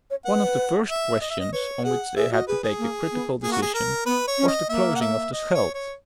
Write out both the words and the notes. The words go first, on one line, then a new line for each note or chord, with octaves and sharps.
One of the first questions on which they had to take a critical decision was the closing of the Scheldt.
C#5
B4 F#5
E5
D#5
E5
D#5
B4 C#5
G#4 F#5
G#4 E5
F#4 D#5
G#4 B4
G#4
A#3
B3
A#3 G#4
F#4
G#4
A#4
B3 B4
C#5
C#4
D#5
A#3 E5
F#5
E5
D#5
C#5
C#5